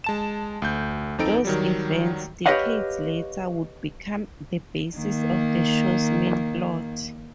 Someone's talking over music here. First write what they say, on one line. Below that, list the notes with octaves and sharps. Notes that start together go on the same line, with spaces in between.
Those events, decades later, would become the basis of the show's main plot.
G#3 A5 E7
D2 G6
F2 C4 D#4 A4 D7
D#3 F#3 G3
G4 B4 C#5 D#5 F5 F#5
D#3 A#3